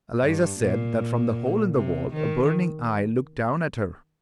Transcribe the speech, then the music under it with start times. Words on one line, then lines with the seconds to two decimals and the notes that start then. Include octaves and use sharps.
"Eliza said that from the hole in the wall a burning eye looked down at her!"
0.22 G2
0.59 A#2
1.75 C3
2.13 D#3